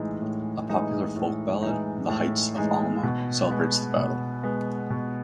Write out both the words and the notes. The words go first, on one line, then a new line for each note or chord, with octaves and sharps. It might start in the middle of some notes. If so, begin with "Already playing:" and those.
A popular folk ballad, The Heights of Alma, celebrates the battle.
Already playing: A2 E3 G#3 D#4
A2
E3 G#3 D#4
A2
E3 G#3 D#4
A2
E3 G#3 D#4
B2
G#3 B3
B2
G#3 B3
B2